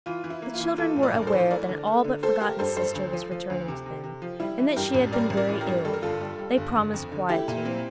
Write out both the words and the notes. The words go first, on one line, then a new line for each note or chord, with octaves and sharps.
The children were aware that an all but forgotten sister was returning to them, and that she had been very ill; they promised quietude.
E3 F4
E3
E4
A#3
F4
E3
E3 F4 A4
A2
A#4 D5
A#1
A#4
A4 C5
E3
C5
A3 A#4 D5
D3
A3
D3
A3 A4 C5
A3 G4 A#4
G2 A4 C5
G2 A4 C5
D2
F3
F3
D2
C3
C3
C3
F3
G3 E4
E3
G2 G4 A#4
A1
G3 A#4 D5
A1
A#4 D5
E3
G4 A#4
G2
G3 A4
A#4
G1 F4 A4
G3
G3
G1
G1
F2
D3
A3 E4 G4
A#2
C4